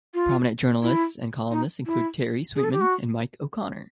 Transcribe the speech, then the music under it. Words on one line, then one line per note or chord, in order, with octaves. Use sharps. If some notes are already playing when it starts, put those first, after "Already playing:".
Prominent journalists and columnists include Terry Sweetman and Mike O'Connor.
F4
E4
D#4
E4
G#4
A4
G4
F#4